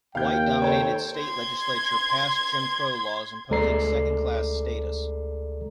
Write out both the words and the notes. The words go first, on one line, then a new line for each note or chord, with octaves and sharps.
White-dominated state legislatures passed Jim Crow laws imposing second-class status.
D#2 F5 G5 G6
A4 C5 C#5
C6 G#6
D2 G#3 A4 D5 A#5 C7